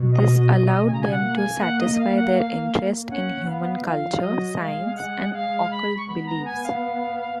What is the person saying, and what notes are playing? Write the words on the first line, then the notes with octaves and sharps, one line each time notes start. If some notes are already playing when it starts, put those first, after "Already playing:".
This allowed them to satisfy their interest in human culture, science, and occult beliefs.
Already playing: B2
D#5
C#3 G#5
A#5
G#5
F#5
A#3
G#5
F#5
D#5
F5
F#5
F5
C#4 F#5
B3 F5
F3 F5
F#3 D#5
G#3 F5
F#5
F5
B5
C#6
B3 B5
A#5
G#5
F5